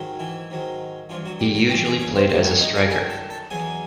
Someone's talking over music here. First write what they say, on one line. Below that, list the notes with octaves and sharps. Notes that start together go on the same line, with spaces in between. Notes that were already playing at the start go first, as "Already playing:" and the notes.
He usually played as a striker.
Already playing: G#2 D#3 F#3
E3 E4
G#2 D#3 F#3
G2 E3 F3 F4
F#3 F#4
G3 G4
F#3 F#4
G2 E3 G3 G4
G#3 G#4
C#4 C#5
C4 C5
F#2 D#3 F#3 C#4 C#5
C#4 C#5
D#4 D#5
G#4 G#5
F#2 D#3 F#3 G#4 G#5
A4 A5
A4 A5
E2 B2 F#3 G#4 G#5